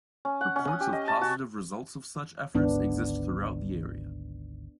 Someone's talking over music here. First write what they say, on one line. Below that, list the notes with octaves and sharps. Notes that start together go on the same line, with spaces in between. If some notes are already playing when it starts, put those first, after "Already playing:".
Reports of positive results of such efforts exist throughout the area.
C#4
F#5
C#4
D#6
G4
D#5
A5
F#4
G#1 D2 G#2 B3 D4